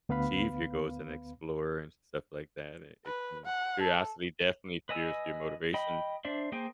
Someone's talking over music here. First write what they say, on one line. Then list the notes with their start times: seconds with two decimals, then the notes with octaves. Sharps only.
achieve your goals and explore, and stuff like that, it it can curiosity definitely fuels your motivation.
0.09 D2 B3 B4 F5 B5
3.06 B4
3.46 F#5
3.81 A4
4.89 B4 D#5 G#5 E6
5.74 D#5 G5 B5
6.25 D4 C5 D5 E5
6.52 A#3 G#4 C5 G5